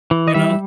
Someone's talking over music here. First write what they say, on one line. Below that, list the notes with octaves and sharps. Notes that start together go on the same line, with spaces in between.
You know?
E3
D#5
G3 E5